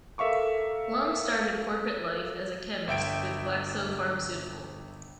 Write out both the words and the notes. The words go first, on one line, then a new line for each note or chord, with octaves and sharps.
Lum started corporate life as a chemist with Glaxo Pharmaceutical.
A4 A#4 E5 F5 C#6 D6
G1 E5 G5 D7